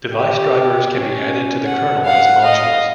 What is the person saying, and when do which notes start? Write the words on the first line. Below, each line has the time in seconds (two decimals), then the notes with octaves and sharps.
Device drivers can be added to the kernel as modules.
0.13 G4
0.94 C#4
1.66 F#5
2.05 F5 F#5
2.41 D#5 F5